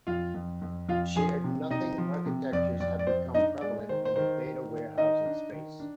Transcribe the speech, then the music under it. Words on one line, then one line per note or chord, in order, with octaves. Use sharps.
Shared nothing architectures have become prevalent in the data warehousing space.
F2 F4 F5
F2
F2
F2 F4 F5
F3 G#4 G#5
C3
C3 D#4 D#5
F3
C3
F2 D5
F2 D5
D5
F2 C5
D4 D#4 D#5
G#3 D5
D#3 C5
C5
D#3 C5
D#3
D#3
D#3 D#4 D#5
D4
D#3
D4